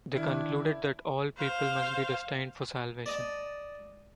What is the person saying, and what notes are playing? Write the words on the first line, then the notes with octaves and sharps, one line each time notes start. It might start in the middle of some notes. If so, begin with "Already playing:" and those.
They concluded that all people must be destined for salvation.
D#3 D4 E4
C5 F5
D5 D#5 A5